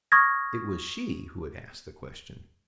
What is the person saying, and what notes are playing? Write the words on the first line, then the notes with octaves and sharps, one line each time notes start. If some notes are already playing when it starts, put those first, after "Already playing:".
It was she who had asked the question.
C#6 D#6 F6 G#6 A#6